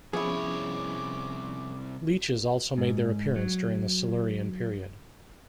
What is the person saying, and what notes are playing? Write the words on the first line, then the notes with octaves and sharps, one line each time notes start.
Leeches also made their appearance during the Silurian Period.
C2 F3 B3 C#4 E4 G#4 C#5 D6
G#2
F#3